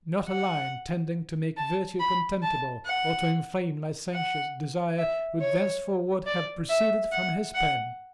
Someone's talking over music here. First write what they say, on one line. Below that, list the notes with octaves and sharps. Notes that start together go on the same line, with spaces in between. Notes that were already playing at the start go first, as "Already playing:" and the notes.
Not a line tending to make virtue contemptible, or to inflame licentious desire, would thenceforward have proceeded from his pen.
F#5
A5
B5
A5
F#5
F#5
E5
C#5
D5
E5
F#5
F#5